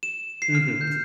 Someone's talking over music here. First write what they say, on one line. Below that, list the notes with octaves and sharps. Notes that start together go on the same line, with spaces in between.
Mhm. T
E7
C7
F6
G6